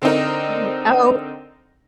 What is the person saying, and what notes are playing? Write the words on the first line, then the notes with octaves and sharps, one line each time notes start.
Mhm. Oh
D3 C4 D4 D#4 A#4